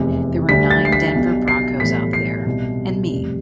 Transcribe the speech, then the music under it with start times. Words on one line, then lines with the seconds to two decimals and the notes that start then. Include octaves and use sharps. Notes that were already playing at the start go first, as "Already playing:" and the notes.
There were nine Denver Broncos out there, and me.
Already playing: F1 E2 C3
0.49 D2 D3 G3 B6
0.71 A6
0.85 C7
0.92 B6
1.15 B1 B2 G3
1.48 C7
1.80 B1 A2 E3 G3 B6
2.13 C7
2.46 C2 B2 G3
3.12 F1 E2 C3 G3